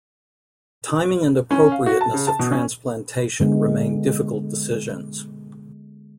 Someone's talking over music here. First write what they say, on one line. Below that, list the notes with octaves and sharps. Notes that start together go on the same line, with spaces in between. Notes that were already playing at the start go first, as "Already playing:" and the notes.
Timing and appropriateness of transplantation remain difficult decisions.
C#4
F5
F#4
A5
C#3
A5
B2
C#4
D3 G#3 B3